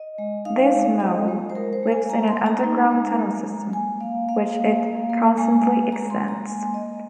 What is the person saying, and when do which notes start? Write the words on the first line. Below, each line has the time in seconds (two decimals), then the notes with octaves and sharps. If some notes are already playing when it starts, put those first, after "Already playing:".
This mole lives in an underground tunnel system, which it constantly extends.
Already playing: D#5
0.18 G#3
0.45 D#4 F5
0.73 G#3
1.00 F4 D#5
1.28 G#3
1.50 C5
1.55 G#3 A#4
1.73 C5
1.83 G#3
1.92 G#5
2.10 A#3 A#5
2.28 C6
2.37 A#3
2.46 A#5
2.64 D#4
2.91 G#3
3.19 G#3
3.47 G#3
3.73 A#3 G#5
4.01 A#3 F5
4.29 A#3 F5
4.55 A#3
4.83 A#3
5.10 A#3
5.38 G#3 G#5
5.65 G#3
5.92 G#3 A#5
6.10 C6
6.19 G#3
6.28 A#5
6.47 A#3 G#5
6.74 A#3 D#5